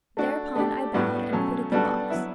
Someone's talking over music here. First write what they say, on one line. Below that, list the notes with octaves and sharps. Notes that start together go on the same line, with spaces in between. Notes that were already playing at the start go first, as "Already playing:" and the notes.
Thereupon I bowed and quitted the box.
A3 D4 F#4
A3 D4 G4
A2 G3 B3 F#4
B2 F#3 A3 C#4
G3 B3 D4 F#4 A4
F#3 B3 E4 B4 E5